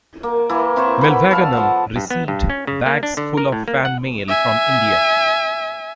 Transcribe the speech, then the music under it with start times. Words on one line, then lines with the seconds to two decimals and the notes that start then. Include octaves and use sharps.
Mylvaganam received bags full of fan mail from India.
0.23 A#3
0.49 E3 A#3 E4
0.76 C4 E4 C5 C#6
1.01 E3 B3 B5
1.31 A4 F5 A5
1.52 F3 F#5
1.96 G2
2.11 B3
2.28 G2
2.50 C#4
2.67 C#3
2.86 A#3
3.03 D4
3.17 D3
3.37 A#4
3.52 A2
3.68 A#3
3.85 F#5
4.28 E5 G#5